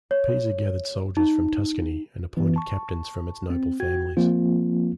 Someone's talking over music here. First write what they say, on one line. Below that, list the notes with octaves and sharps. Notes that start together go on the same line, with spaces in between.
Pisa gathered soldiers from Tuscany and appointed captains from its noble families.
C#5
D#4
E3 B3
A5 C#6
C4
F#4 G5 G#6
F3 A#3 C4 F4